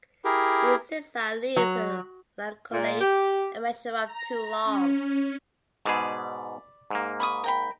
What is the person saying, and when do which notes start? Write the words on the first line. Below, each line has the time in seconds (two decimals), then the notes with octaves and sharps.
Its sessile leaves are lanceolate and measure up to long.
0.25 E4 G4 G#4 A#4
1.56 F#3
2.71 A#2
3.01 G4
4.05 A#5
4.64 C#4
5.85 G#2 B2 G#4 D5 B5
6.90 G#2 A#3
7.20 B5 C#6 D#6
7.44 A#4 G5 B5